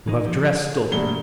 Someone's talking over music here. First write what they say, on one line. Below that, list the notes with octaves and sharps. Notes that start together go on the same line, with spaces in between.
You have dressed up.
E3 D#4
F3 F#3 G4
G#4
E1 G2 A3 A#3 G7